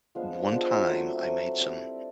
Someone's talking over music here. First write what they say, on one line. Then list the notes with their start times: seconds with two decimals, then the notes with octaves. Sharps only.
one time, I made some
0.15 F3 G#3 B3 D4 F5
0.51 F3 G#3 B3 D4
0.88 F#3 A3 C4 E5
1.24 F#3 A3 C4
1.60 G3 C4 E4 D5